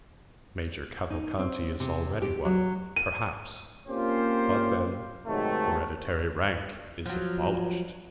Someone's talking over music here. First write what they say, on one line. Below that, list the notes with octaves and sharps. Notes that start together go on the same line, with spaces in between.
"Major Cavalcanti is already one, perhaps; but then, hereditary rank is abolished."
D#4
C4
C3
G4
F#3
D#7
A#3 C4 C#4 F4 G4 C5
G#2 C3 D#3 F#3 A3
F3 F#3